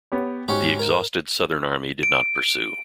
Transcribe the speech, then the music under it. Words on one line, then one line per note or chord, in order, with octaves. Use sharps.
The exhausted southern army did not pursue.
B3 G4 C#5
G#2 C#4 F#4 G4
A#4
D7